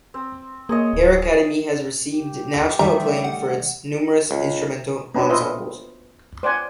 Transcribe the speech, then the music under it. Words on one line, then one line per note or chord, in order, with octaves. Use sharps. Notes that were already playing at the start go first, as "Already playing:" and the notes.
Air Academy has received national acclaim for its numerous instrumental ensembles.
C4
A#3 G#4 C#5 D#5
D1
G4
D#3 G3 A3 E5 A#5
F#5
C#2
B3 C#4 D4 F#4 B4
F4 B4 C5 D#5 E5
C5 D5 F#5 G#5